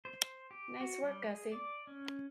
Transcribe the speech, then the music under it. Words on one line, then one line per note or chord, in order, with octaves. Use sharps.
Nice work, Gussie.
C5
G4
F#4
G3
G#4
D5
C#4